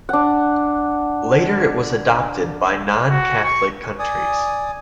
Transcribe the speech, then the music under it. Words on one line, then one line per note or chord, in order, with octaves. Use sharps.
Later, it was adopted by non-Catholic countries.
D4 F#5
F#4
C#6
D5 G#5 D#6